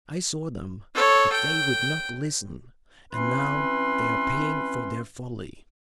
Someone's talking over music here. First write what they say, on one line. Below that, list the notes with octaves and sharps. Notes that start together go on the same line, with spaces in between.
I saw them, but they would not listen, and now they are paying for their folly.
A4 C#5
G5
E3 C4 C#4 B4 C6